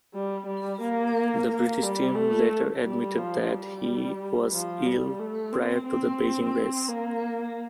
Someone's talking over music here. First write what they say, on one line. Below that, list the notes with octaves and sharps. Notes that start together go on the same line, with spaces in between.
The British team later admitted that he was ill prior to the Beijing race.
G3
G3
A#3
A#3
G3
A3
G3
F3
G3
F3
G3
A3
C4
C4
A#3